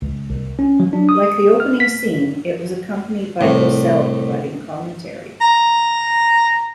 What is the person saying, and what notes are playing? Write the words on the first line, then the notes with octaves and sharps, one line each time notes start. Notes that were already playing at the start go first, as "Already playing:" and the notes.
Like the opening scene, it was accompanied by Cosell providing commentary.
C#2
C2
C#4
F#3
D4
D#6
F6
B6
C2 A2
A#5